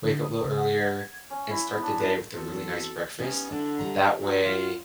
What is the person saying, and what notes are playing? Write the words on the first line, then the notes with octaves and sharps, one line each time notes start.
wake up a little earlier and start the day with a really nice breakfast. That way
D3
D#6
C#3
F#5
G#6
C#4
E4
B3
D4
D4
E2 C4 F#4 A4
G3 B3 C#4 D#4
D3 D4
G3 A#5
F#3
F#3 F4